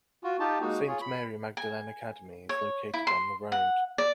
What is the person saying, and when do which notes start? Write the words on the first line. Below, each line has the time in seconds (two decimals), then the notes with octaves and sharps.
Saint Mary Magdalene Academy is located on the road.
0.24 F4 F#4
0.40 D#4 F4 G4 A5
0.61 G#3 A#3 D#4 F#4
0.87 F4 G#4 C#5
1.02 B5
1.57 G#5
2.49 C#5
2.94 E4
3.07 C6
3.52 F#5
3.98 D5